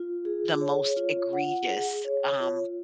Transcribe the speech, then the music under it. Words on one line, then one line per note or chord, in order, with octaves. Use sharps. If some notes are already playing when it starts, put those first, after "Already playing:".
the most egregious, um,
Already playing: F4
G#4
C#5
F4
F#5
G#4
C#5
F4